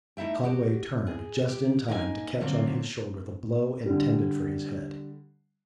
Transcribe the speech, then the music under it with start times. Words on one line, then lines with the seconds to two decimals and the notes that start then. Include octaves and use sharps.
Conway turned just in time to catch on his shoulder the blow intended for his head.
0.17 A3 D#4 E4 E5 G5
0.43 F#4 G4
1.07 G#4
1.48 G4
1.88 A#3 D#4 E4 G#5
2.40 D3 F#3 A#3 C4
3.86 D3 G3